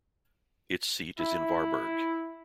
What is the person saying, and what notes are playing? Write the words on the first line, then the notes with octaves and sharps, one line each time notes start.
Its seat is in Varberg.
E4